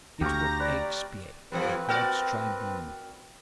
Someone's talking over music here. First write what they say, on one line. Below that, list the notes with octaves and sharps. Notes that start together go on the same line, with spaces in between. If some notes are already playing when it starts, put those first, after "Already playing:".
It will expiate at God's tribunal.
D2 G4 F5 A#5 C#6 G6 A#6
B4 D5
E2 F3 G3 C4 B4
F#4 A#4 D5 G5 F6